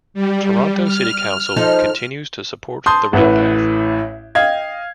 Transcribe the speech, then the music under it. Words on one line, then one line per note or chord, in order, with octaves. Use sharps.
Toronto City Council continues to support the railpath.
G3
F6
F3 D#4 A4
A5 C6 D#6 G6
A1 A2 B4 F#5
D#5 F5 G5 G#6